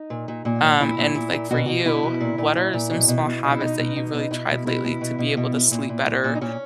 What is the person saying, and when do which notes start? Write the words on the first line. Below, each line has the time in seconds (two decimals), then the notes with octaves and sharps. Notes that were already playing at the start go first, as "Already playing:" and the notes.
Um, and, like, for you, what are some small habits that you've really tried lately to be able to sleep better
Already playing: D#4
0.10 A#2
0.28 A#2
0.45 A#2
0.63 A#2
0.80 A#2 E4
0.98 A#2
1.15 A#2
1.33 A#2
1.51 B2 F#4
1.66 B2 F#4
1.85 B2 E4
2.03 B2
2.20 A#2
2.38 A#2
2.56 A#2
2.73 A#2
2.90 B2
3.08 B2
3.26 B2
3.44 B2
3.51 E4
3.61 B2 D#4
3.78 B2
3.96 B2
4.14 B2
4.31 B2 E4
4.49 B2
4.66 B2 E4
4.84 B2
5.01 B2
5.18 B2
5.37 B2
5.54 B2
5.71 A#2
5.89 A#2
6.06 A#2
6.24 A#2
6.35 D#4
6.41 A#2 C#4